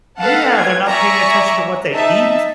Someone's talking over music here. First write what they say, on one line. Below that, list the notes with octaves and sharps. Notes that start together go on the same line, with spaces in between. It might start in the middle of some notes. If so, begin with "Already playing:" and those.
Yeah, they're not paying attention to what they eat,
A4 B4 F5 F#5 A5
F4 G#6
D5 E5 G#5 A#5 C#6
D#4 E5 A5